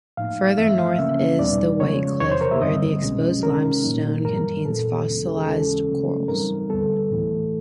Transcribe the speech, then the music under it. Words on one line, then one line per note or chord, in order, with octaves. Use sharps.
Further north is the White Cliff, where the exposed limestone contains fossilised corals.
A2 F3 A#3 D#4 F5
G2 E3 A3 C4 E5
F5
C#3 F3 A#3 C#4 E5
E2 B2 G3 B3 D#4 D5
C#3 F3 G#3 C#5
E2 C3 E3 C#5
C5
A#4
E5
G2 D3 G3 C4 D#5
C2 B2 G#3 C#4
C3 D#3 G#3 C#4 A#4
A#2 F#3 A#3 D#4
G2 E3 G3 B3 A#4
A#2 F#3 B3 D4 A4
D#2 C#3 E3 G#3 C#4
G4
G#4
D#2 C#3 E3 G#3 C#4 A4
C#3 F#3 A3 C#4
G#2 E3 G3 C4 D#4 A#4
D2 D3 G3 B3 A4
A2 E3 A3